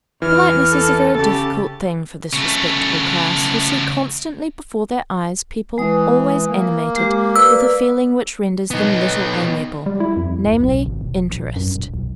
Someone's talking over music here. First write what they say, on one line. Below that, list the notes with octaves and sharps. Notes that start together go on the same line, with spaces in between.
Politeness is a very difficult thing for this respectable class, who see constantly before their eyes people always animated with a feeling which renders them little amiable, namely, interest.
E2 E3 F6
A4
C#3 G4 A4 A5 A6
C#3 A3
E3 G#3 D#6
A#3
G#3 G4 D6
B4 D5 E6
B3 D#4
G3
E4
F2
D1
B1
G#1
E1
A#1
F#2
D#1
B1